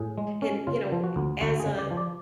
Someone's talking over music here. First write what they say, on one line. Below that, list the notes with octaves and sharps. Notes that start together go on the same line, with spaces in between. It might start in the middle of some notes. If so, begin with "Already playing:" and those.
and, you know, as, uh,
Already playing: A2 G#4
G#3
C#4
C#3 F4
F3
F#4
D2
D2 F#4
G#4
C#3
D5
F3
D5